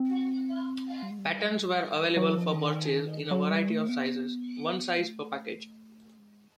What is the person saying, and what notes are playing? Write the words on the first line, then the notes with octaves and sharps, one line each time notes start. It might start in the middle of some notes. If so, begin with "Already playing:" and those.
Patterns were available for purchase in a variety of sizes, one size per package.
Already playing: C4
G3
G#3
G3
F#3
F3
D#3
F#3
G3
A3
B3
G#3
A3
G#3